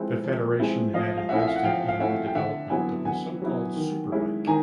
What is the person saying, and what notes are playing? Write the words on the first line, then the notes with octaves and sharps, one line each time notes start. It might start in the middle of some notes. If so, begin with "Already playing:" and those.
The federation had invested in the development of the so-called SuperBike.
Already playing: F3 G#3 C4 E4 A4 B4
F3
G#3 C4 E4
F3 D#5 F5
F5
A3 C#4 E4 E5 F#5
E5
F5
F#5
F3 F5 G5
F5
A3 C#4 E4 E5 F#5
G5
D3 E5 F#5
F#3 B3 E4 F#5 G#5
D3 F#5 G#5
F#3 B3 E4
D#3
G#3 C#4 E4
D#3 G#5 A#5